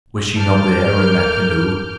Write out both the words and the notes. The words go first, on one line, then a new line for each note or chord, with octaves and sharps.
Was she not there in that canoe?
A5 D6 F6 G6
A4 A#4